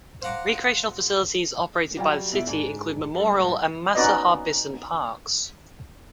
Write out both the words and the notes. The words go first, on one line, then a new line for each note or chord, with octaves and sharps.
Recreational facilities operated by the city include Memorial and Masa Harbison parks.
C5 F5 F#5 A#5 D6
F#3 G3 F5 G5
B2 E4 D7
G#2 D4
G2 A4
A2
C#4 D#4 F#4 B4 D5 D#5